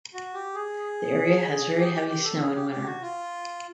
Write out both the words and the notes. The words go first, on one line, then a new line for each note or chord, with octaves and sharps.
The area has very heavy snow in winter.
F#4
G4
G#4
G4
G4
G4
A4
G#4
G4
G4
F#4
F4